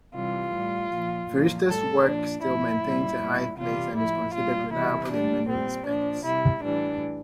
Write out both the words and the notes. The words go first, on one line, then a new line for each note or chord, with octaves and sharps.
Firishta's work still maintains a high place and is considered reliable in many respects.
C3 E3 G3 F4
A2 G3
A#2 F3
A#2 F3
A2 G3 A4
A#2 F3 D4
A2 F3 E4
A#2 G3
A#2 G3
C3 E3 G3 F4
A2 F3 E4
A#2 G3 F4
C3 E3 G3 E4
A#2 G3 D4
A#2 G3 C4
A#2 F3 D4
C3 G3 E4
A2 E3 G3 D4